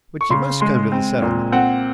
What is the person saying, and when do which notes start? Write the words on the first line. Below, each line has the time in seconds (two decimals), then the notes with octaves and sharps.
But you must come to the Settlement.
0.21 C#6
0.30 C#3 C6
0.61 G#3 C6
0.92 C4
1.22 A#2
1.52 C4 F#5